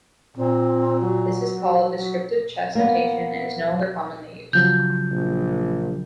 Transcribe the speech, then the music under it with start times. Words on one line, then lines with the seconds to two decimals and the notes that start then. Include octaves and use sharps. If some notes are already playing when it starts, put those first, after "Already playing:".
This is called descriptive chess notation and is no longer commonly used.
0.37 A#2 C4
1.01 F#3
1.94 F#3
2.75 A#3 B3
4.53 C#3 F3 F#3 G6
5.11 A#1